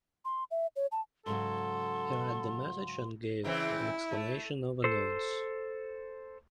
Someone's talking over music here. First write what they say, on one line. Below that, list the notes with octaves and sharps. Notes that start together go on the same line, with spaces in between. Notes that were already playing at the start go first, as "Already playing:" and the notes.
He read the message and gave an exclamation of annoyance.
C6
E5
C#5
A5
G#2 C#3 F#3 A4 C6
C#3 E3 C4 E4
A3
A4 C5